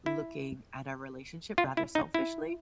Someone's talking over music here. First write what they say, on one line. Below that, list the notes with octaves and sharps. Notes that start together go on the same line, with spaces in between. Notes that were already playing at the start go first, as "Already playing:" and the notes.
looking at our relationship rather selfishly.
E4
F4
E4
D#4
E4